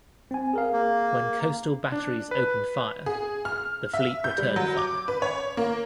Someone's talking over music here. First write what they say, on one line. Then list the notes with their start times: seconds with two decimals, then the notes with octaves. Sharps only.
When coastal batteries opened fire, the fleet returned fire.
0.31 C4 G#5
0.54 G#4 A#4 F5
0.73 A#3
1.92 D4
2.31 B4
3.06 G#4
3.45 F6
3.93 E5
4.24 G6
4.38 G3
4.56 F#3
4.77 D6
5.08 B4
5.22 C#5
5.57 A#3